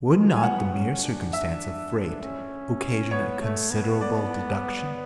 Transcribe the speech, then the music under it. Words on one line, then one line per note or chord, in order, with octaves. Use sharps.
Would not the mere circumstance of freight occasion a considerable deduction?
G#3
G#5
B3 F#5
C#4
D4
E5
C#4
B3 C#5
A3
B3
D5